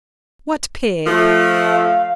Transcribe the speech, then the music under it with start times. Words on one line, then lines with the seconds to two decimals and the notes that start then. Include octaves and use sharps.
"What pig?"
1.05 F3 A3
1.68 F5